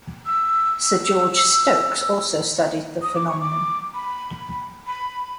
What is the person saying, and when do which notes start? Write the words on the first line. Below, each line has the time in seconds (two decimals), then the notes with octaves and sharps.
Sir George Stokes also studied the phenomenon.
0.26 E6
3.02 D#6
3.15 D6
3.28 C#6
3.41 D6
3.94 B5
4.87 B5